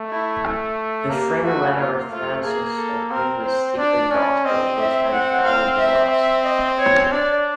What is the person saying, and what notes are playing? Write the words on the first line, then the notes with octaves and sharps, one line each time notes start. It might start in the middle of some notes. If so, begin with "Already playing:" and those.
This framing letter references a previous "secret gospel", which has apparently been lost.
Already playing: A3
E4
A#3 G4
A3 F#4
A#3 F4
A3 F4
A#3 G#4
A4
C4 A#4
C5
D4 D5
C#4
C4 D#5
E5
F#5
F5
E5
E5
D#5
C#5
D4 D5